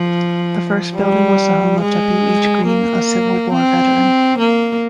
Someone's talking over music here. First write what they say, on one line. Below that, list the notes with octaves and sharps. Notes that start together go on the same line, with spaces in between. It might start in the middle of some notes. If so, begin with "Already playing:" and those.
The first building was the home of W. H. Green, a Civil War veteran.
Already playing: F3
G3
G#3
A#3
C4
A#3